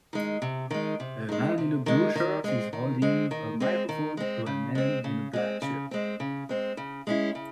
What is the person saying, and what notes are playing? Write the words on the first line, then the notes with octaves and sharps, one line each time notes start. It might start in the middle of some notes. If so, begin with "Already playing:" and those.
A man in a blue shirt is holding a microphone to a man in a black suit.
D#3 G#3
C3
D#3 G#3
C3
D#3 G#3
C3
D#3 G#3
D#3
G#3 C4
D#3
G#3 C4
D#3
G#3 C4
D#3
G#3 C4
C#3
G#3 C4
C#3
G#3 C4
C#3
G#3 C4
C#3
G#3 C4
C#3
G#3 C#4 E4
C#3